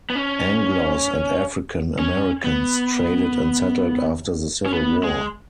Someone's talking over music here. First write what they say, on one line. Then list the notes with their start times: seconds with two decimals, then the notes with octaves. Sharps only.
"Anglos" and African Americans traded and settled after the Civil War.
0.10 B3
0.15 C#4
1.99 C#4
2.44 B3
4.66 C#4
4.73 B3
5.03 G#3